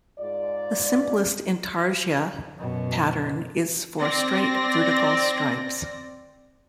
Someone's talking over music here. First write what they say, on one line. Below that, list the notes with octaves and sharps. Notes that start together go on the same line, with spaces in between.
The simplest intarsia pattern is for straight vertical stripes.
G#2 G#3 F4 D5
F#2 B2
C4 D5 A#6